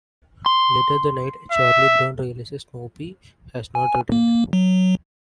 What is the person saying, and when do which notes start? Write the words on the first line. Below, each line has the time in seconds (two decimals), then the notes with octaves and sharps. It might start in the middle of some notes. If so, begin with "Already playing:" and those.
Later that night, Charlie Brown realizes Snoopy has not returned.
0.46 C6
1.51 E5
3.75 G#5
4.12 A#3
4.53 F#3